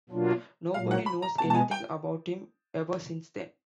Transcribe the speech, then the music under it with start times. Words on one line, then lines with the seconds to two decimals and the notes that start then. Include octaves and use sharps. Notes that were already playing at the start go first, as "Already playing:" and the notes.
Nobody knows anything about him ever since then.
0.09 B2 F#3 A#3 D4 F4
0.74 A#2 F#3 A#3 F5
0.91 F#5
1.06 B5
1.22 A#5
1.38 B2 G#3 B3 A5
1.50 A5
1.55 G#5
1.71 G5